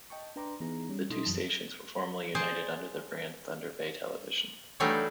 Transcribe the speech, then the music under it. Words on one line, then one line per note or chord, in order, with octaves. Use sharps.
The two stations were formerly united under the brand Thunder Bay Television.
D#5 G5 A5 C#6
D4 B4 G5 A#5 C6 D6
E3 B3 D#4 E4 G#4 A#5
G3 C#4
B2 D#4 E4 A4 C6 D#6
F#2 E3 F#3 A5 D#6
G#4 C5 D5 A5
E3 F#3 G3 A3 D4 D#4